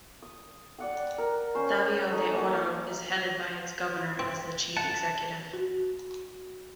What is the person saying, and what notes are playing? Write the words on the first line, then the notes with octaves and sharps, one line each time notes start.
Davao de Oro is headed by its governor as the chief executive.
D#6
D5 F#5 G5
A#4
C#4 C5
D#4 A4
A#3 A5
C4
F#5 A5
F#4